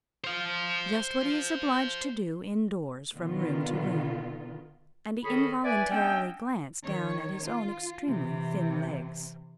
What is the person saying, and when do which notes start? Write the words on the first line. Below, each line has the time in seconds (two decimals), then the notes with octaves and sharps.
"Just what he is obliged to do indoors from room to room." And he involuntarily glanced down at his own extremely thin legs.
0.24 C5 F5
3.15 B2 D3 D#3 B3 F4
5.24 D#3 G#4 A4 C#5 D#5 B5
5.64 B4 D5 E5 G#5
5.91 B3 C#4 D4 D#5 E5 G5
6.83 D#3 C#5
7.43 F4
8.07 C3 E3